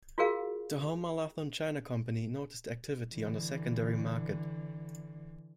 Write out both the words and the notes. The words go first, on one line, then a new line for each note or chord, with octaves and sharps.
The Homer Laughlin China Company noticed the activity on the secondary market.
F4 F#4 G#4 A#4 F5
D3 E3